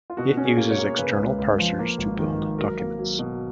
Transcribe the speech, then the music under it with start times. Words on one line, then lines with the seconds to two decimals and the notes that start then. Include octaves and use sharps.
It uses external parsers to build documents.
0.10 F4
0.17 B2 F#4
0.37 C#4
0.45 G#4
0.57 A#3
0.71 C#5
0.79 A#3
0.98 C#3 B4
1.18 C#2
1.38 C#2
1.59 F3
1.79 A#3
1.98 G#1
2.19 D#3
2.38 G#1
2.58 F#3 A#4
2.80 A#3
2.99 F#3
3.19 B2